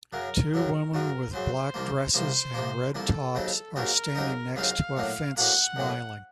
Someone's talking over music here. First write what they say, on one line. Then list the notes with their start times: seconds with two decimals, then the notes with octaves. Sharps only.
Two women with black dresses and red tops are standing next to a fence smiling.
0.12 F#2 C#3 F#3 A#4
0.54 F#2 C#3 F#3 A#4
0.94 F#2 C#3 F#3 A#4
1.33 F#2 C#3 F#3 C5
1.74 C2 C3 F3 A#3
2.14 C2 C3 F3 A#3 C5
2.54 C2 C3 F3 A#3
2.95 C2 C3 F3 A#3 A4
3.35 D#2 C#3 F#3 C4 D#4
3.76 D#2 C#3 F#3 C4 D#4 A#4
4.15 D#2 C#3 F#3 C4 D#4
4.56 D#2 C#3 F#3 C4 D#4 F5
4.97 A#1 A2 F#3 A#3
5.36 A#1 A2 F#3 A#3 F#5
5.76 A#1 A2 F#3 A#3